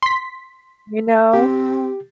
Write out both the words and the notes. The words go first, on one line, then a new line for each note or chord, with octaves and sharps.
you know?
C6 B6
C4 G4